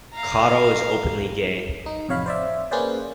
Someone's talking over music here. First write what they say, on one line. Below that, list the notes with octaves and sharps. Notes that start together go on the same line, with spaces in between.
Caro is openly gay.
F5 A#5
D#4
A1 F2 C3 C#5 F5 B5
C5 D5 E5
A#3 C#4 G#4 B4 C5 D5